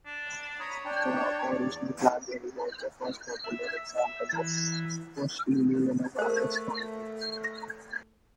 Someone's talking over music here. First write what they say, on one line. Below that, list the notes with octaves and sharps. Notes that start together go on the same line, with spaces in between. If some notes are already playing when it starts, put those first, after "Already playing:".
The original BlackBerry was the first popular example of push-email in a wireless context.
D4
C#5 A#5 B5 D#6
D4 G5 A5
E2 D5
E5
E5
E3
A3 A#4 C5